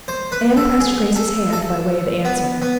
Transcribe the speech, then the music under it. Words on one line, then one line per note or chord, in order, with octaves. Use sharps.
Anne pressed Grace's hand by way of answer.
C5
B4
A4
G#4
A4
A4
B3
B3